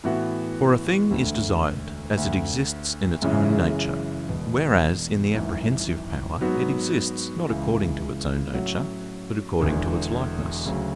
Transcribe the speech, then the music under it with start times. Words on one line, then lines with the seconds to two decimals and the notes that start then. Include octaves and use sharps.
For a thing is desired as it exists in its own nature, whereas in the apprehensive power it exists not according to its own nature, but according to its likeness.
0.04 A2 E3 B3 F#4
1.10 E1 D2 D3 A3
2.16 D2 D3 A3
3.22 F#2 C#3 E3 G#3 C#4
4.28 E1 E2 B2
5.35 G#1 F#2 E3
6.41 G#2 F#3 B3 F#4
7.47 C#2 C#3 E3
8.53 A2 F#3 C#4 F#4
9.59 E1 E2 D3
10.65 D2 C#3 F#3